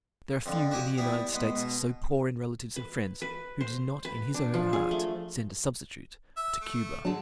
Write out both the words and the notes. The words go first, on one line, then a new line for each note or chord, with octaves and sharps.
There are few in the United States so poor in relatives and friends who did not in his or her heart send a substitute to Cuba.
F2 D3
F#4 G4 G#5 D#6
G3 B3 E4 G#4
G#3 B3
B2
B4
B4
C5
B4
D4
F3
G#4
A3
E5
A3
D3 F#3 D4 G#4 A5